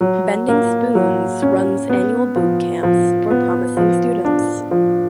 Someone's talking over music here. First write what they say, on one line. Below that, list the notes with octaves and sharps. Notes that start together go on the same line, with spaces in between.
Bending Spoons runs annual bootcamps for promising students.
F#3
A#3
F#3
C#4
B3
F3
F3
B3
F3
D4
F3